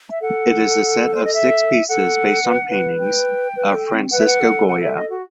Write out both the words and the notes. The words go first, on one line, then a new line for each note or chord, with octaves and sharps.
It is a set of six pieces based on paintings of Francisco Goya.
E5
A4 F#5
C5
D#5
E5
A4 F#5
B4
B4
G5
B4
A4
C4
B4 F#5
E5
F#5
A4
F#5
E5
D#5
F#4